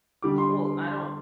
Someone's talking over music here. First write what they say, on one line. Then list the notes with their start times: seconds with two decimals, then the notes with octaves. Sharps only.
Well, I don't
0.22 D3 G3 D6
0.38 C6